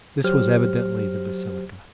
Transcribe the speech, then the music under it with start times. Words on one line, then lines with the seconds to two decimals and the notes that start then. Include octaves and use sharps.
This was evidently the basilica.
0.24 F#3 G4 C5 F6